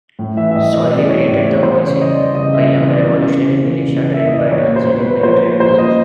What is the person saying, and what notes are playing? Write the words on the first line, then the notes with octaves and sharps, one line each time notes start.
Soilih created the 'Moissy', a young revolutionary militia trained by Tanzanian military advisers..
A2
E3 E5
E5
A2 D#5
E3 D#5
D#5
E3 D5
E3 C#5
A2 D5
E3 C#5
E3 C5
C#3
C#5
E3 D#5
D5
E3
C#3 D#5
C#3 E5
E3
E3 D5
C#3
C#3
E3
E3
C#3
E3
E3 E5
D#5
E3 D5
A#2 C#5
A#2
C5
A#2
B4
A#2
C#5
F3 C5
A#2
F3 C5
A#2 D#5